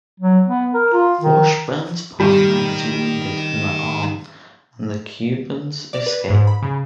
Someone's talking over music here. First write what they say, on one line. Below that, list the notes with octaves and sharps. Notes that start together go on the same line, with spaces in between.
Washburn's partner is wounded in the arm and the Cubans escape.
F#3
B3
A#4
F4
D#3
D#3 G3
D5
B4
G#2
B5
C#3